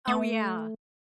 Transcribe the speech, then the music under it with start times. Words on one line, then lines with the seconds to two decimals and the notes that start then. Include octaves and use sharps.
Oh, yeah,
0.08 A3